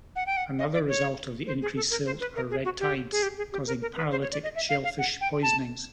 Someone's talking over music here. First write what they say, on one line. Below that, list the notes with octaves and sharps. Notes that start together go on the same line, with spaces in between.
Another result of the increased silt are red tides, causing paralytic shellfish poisonings.
F#5
G5
F#5
D#5
D5
C#5
C5
G#4
A4
A#4
C5
B4
A#4
G#4
F#4
G4
G#4
G4
G#4
G4
A#4
A#4
B4
C5
C#5
D5
D#5
E5
F5
F5
F#5
G5
A5